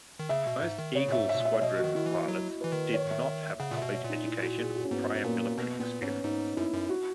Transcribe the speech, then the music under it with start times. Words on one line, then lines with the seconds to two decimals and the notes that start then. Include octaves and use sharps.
Most Eagle Squadron pilots did not have a college education or prior military experience.
0.19 D#3
0.29 C#3 E5
0.47 B2
0.62 G#2
0.78 D#3
0.95 C#3 C#5
1.08 A#2 E5
1.18 G#2
1.29 E5
1.35 B2
1.40 A#2 E5
1.54 C#5
1.61 B2 D#5
1.79 F#4
1.84 D#3
1.95 D#3 E4
2.06 E3
2.12 F#4
2.28 F#3
2.61 E3 B4
2.72 D#3
2.94 C#5
3.10 E5
3.43 E5
3.60 C#3 F#5
3.71 A#2
3.77 E5
3.82 B2
3.93 C#5
4.04 A#2
4.09 D#4
4.25 E4
4.42 F#4
4.59 G#4
4.76 F#4
4.84 C#4
4.91 G#2 B3
5.15 G#2
5.24 A#2 A#3
5.57 B2 B3
5.79 A#2 B3
6.02 G#2 C#4
6.24 G#2 D#4
6.57 F#2 E4
6.74 F#2
6.89 F#4